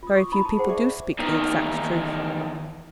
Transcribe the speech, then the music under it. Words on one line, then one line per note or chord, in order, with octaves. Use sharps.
'Very few people do speak the exact truth.
F4 D#6
C#6 D6
D#4 E4 A#5 B5 D#6
A5
G#4 C5 F#5 G5
D5 E5 C#6 D6
E2 D#3